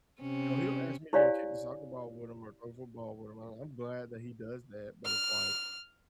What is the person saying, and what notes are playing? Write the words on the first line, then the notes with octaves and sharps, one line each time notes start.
you know, he'll ask me to go kick the soccer ball with him or throw a football with him, and I'm glad that he does that, but it's like,
C3 C#4
E4 G4 C#5 D5 F5 G#5
F6